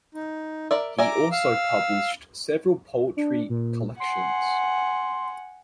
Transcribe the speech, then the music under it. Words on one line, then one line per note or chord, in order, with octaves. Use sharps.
He also published several poetry collections.
D#4
A#4 D5 E5
D5 E5 G#5 A#5 D6
F5 E6
D4
A#2
F#5 G#5 C6